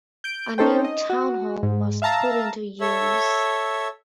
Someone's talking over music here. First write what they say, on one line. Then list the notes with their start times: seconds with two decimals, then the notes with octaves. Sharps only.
A new town hall was put into use.
0.24 G6 D7
0.58 C#4 D#4 A4 C5 G5
0.84 D#5
1.10 F#4
1.63 G#2
2.02 E5 F5 A5 A#5 E6
2.81 A4 C#5 E5